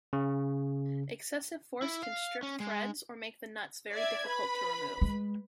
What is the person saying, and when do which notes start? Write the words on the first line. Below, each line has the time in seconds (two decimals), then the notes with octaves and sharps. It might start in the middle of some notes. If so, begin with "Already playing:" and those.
Excessive force can strip threads or make the nuts very difficult to remove.
0.13 C#3
1.82 E4
2.03 F5
2.43 C#4
2.60 G#3
3.93 D5 E5 G#6
4.28 B4 B5
5.02 G#3